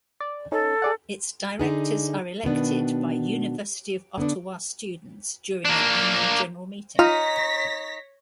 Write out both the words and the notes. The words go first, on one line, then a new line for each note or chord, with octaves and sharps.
Its directors are elected by University of Ottawa students during an annual general meeting.
D5
C#4 D#4 A4
G#4 D5 F#5
D3 D#4 G#4
B2 D#3 B3 D4
D3 B3 D4
A#3 D4
D#4 F4 C#5 F6 A#6 B6